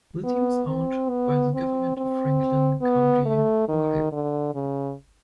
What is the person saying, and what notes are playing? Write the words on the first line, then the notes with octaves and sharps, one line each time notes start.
The team is owned by the government of Franklin County, Ohio.
B3
C4
B3
C4
C4
B3
A3
D#3
D3
C#3